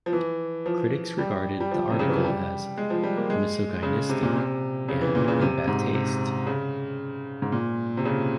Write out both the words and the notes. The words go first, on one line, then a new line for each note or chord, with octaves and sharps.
Critics regarded the article as misogynistic and in bad taste.
F3
E3
F3
G3
G3
F3
C3
C#3
E3
F3
G3
G#3
F3
G3
A#3
G#3
C#3
C3
A#2
C3
C#3
E3
A#2
C#3
C3
G#2
C3
C#3
G#2
A#2
C3
C#3